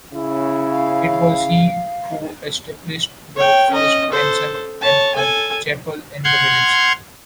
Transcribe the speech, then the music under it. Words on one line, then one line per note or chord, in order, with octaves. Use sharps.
It was he who established the first mansion and a chapel in the village.
C#3 C#4 E4
F5
C#5 G5
C#4 D#5
A4 C5
C#5 A5
A4 G#5
F#5 C6 F6 G6 G#6